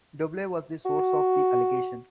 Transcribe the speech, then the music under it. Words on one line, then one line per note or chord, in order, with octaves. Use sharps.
Dobelle was the source of the allegation.
F#4